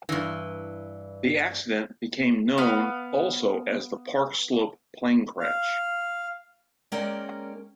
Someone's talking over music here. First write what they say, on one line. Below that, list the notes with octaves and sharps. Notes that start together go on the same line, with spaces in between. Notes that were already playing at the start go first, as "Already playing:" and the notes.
The accident became known also as the Park Slope plane crash.
G2 E3
B3 F5
F5
G#3 A#3 C#4 A#4 D5 G5